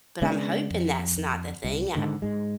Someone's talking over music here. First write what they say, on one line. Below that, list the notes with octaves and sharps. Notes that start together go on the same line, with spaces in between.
but I'm hoping that's not the thing, I
C#3 G#3 B3 D4
F2
C2
G#2 D3 D#3
G#2 G#3